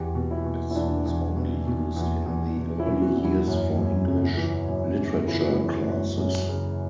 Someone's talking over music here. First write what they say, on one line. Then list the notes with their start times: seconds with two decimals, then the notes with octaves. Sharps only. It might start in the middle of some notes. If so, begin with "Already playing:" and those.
This was only used in the early years for English Literature classes.
Already playing: E2 G4
0.15 B2
0.31 E4
0.45 B2
0.71 E4
0.75 E2 D4
1.06 E2
1.36 B2
1.67 B2
1.96 E2
2.26 E2
2.57 B2
2.79 E4
2.86 B2
3.01 F#4
3.16 E2
3.25 E4
3.48 F#2
3.78 F#2
4.08 C#3
4.37 E3
4.68 F#2
4.98 F#2
5.28 C#3 E4
5.40 F#4
5.53 E4
5.59 E3
5.88 F#2
6.18 F#2
6.49 C#3